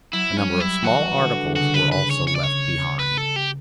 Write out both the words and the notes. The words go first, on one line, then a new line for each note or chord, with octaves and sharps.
A number of small articles were also left behind.
F#3 E4
C#4
G3
E4
E3 F#4
D3
C#3 F#4
B4
B4
C#5
C#5
D5
C#5
B4
A4
G4